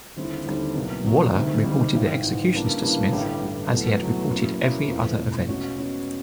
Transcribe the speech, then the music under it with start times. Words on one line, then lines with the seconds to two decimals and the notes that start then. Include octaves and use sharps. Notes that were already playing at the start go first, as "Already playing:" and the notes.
Waller reported the executions to Smith, as he had reported every other event.
0.16 D#2 D3 G3 C4 E4
0.47 D#2 D3 G3 C4 E4
0.75 C2 B2 F#3 A#3
1.05 C2 B2 F#3 A#3
1.35 D2 C3 D#3 G3
1.64 D2 C3 D#3 G3
1.94 G#1 G#2 E3
2.23 G#1 G#2 E3
2.53 C#3 E3 G3 A#3 D4
2.82 C#3 E3 G3 A#3 D4
3.12 A1 G2 D3 G3
3.42 A1 G2 D3 G3
3.71 E2 B2 F#3 A3
4.01 E2 B2 F#3 A3
4.30 A#2 F#3 A#3 C#4 E4
4.60 A#2 F#3 A#3 C#4 E4
4.89 E1 E2 C3 F3 A3
5.19 E1 E2 C3 F3 A3
5.48 B2 G#3 C#4 F#4
5.78 B2 G#3 C#4 F#4